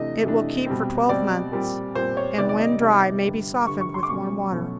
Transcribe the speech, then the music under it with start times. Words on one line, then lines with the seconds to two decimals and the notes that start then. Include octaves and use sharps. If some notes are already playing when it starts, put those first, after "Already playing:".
It will keep for twelve months, and when dry may be softened with warm water.
Already playing: C3 E3 A3 D4 D#5
0.23 C3 E3 A3 D4
0.66 B2 G3 C4
1.09 B2 G3 C4 D5
1.52 A#2 G3 C4
1.95 A#2 G3 C4 C5
2.17 C#5
2.38 C3 D#3 G3 B3 D5
2.49 D5
2.60 D#5
2.81 C3 D#3 G3 B3
3.24 G2 D3 G3
3.66 G2 D3 G3 C#6
3.81 C#6
3.94 C6
4.03 D6
4.09 B2 F#3 A3 C#4 C#6
4.52 B2 F#3 A3 C#4